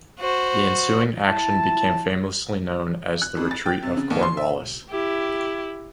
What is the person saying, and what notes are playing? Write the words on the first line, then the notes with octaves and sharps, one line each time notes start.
The ensuing action became famously known as The Retreat of Cornwallis.
F#4 C5
E4 A5
F#6
F2
A6
G5
C3
C#3
D#2
C6
E5
E4 G4